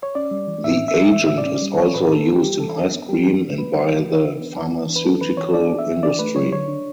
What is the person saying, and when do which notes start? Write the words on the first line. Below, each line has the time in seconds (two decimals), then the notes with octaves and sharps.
The agent is also used in ice cream and by the pharmaceutical industry.
0.03 C#5
0.15 C#4 D5
0.31 G3
0.47 E3
0.64 A2 E5
0.80 C#4
0.88 E5
0.97 G3
1.13 E3 E5
1.27 A2 E5
1.38 D5
1.46 C#4
1.62 G3
1.78 E3 C#5
1.94 A2 B4
2.11 D4 A4
2.27 B3
2.35 G4
2.44 G3
2.60 E3 A4
2.76 D4
2.93 B3
3.09 G3 G4
3.25 E3
3.42 D4
3.58 B3 B4
3.74 G3
3.91 E3
4.07 E3
4.24 D4
4.40 B3
4.56 E3
4.73 E3
4.89 D4
4.96 B4
5.04 B3 A4
5.21 E3 B4
5.37 E3 C#5
5.54 D4 D5
5.70 B3
5.79 E5
5.87 E3
6.03 D4 D5
6.19 A3 B4
6.36 F#3 C#5
6.52 D3 C#5
6.68 D4